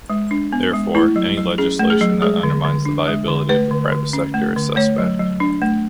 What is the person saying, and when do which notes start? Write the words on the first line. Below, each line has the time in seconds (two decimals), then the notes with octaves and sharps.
Therefore any legislation that undermines the viability of the private sector is suspect.
0.10 G#3
0.31 D4
0.53 B3
0.73 G#3
0.95 A3 E4
1.16 F#3
1.37 F#3
1.58 C#4 G#4
1.80 A3
1.90 G#4
2.01 F#3
2.22 G#3 G#4
2.43 D3
2.65 D3
2.86 D4
3.08 G#3
3.28 D3
3.49 A3 B4
3.71 D3
3.92 D3
4.13 C#4
4.34 A3
4.56 D3
4.76 A3 C#5
4.98 F#3
5.19 F#3
5.40 D4
5.62 A3